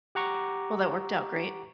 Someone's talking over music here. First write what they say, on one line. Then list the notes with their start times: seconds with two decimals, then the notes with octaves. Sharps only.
Well, that worked out great.
0.15 G4 F#5 A#5 C#6 D6